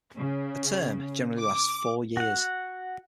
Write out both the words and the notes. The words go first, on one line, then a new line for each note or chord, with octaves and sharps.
A term generally lasts four years.
C#3
D6
F#4 F#5